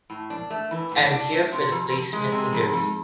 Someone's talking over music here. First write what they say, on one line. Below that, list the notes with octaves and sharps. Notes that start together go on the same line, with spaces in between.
I'm here for the placement interview.
A2
D4
A3
E3
A2
D4
A3
C3
F2
F2
G#3
C3
F2
F2